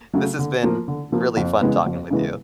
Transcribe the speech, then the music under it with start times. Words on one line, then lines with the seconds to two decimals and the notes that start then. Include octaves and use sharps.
this has been really fun talking with you.
0.13 C#3 F#3 A3
0.39 D3
0.63 F3 A#3
0.88 D3
1.12 F3 A#3
1.37 F2
1.61 C#3 E3 G#3 B3
1.86 F2
2.10 C#3 E3 G#3 B3